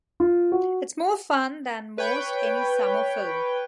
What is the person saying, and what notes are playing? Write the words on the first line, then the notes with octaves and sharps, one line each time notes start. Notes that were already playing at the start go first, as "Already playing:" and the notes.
It's more fun than most any summer film.
F4
F#4
B4 C#5 G5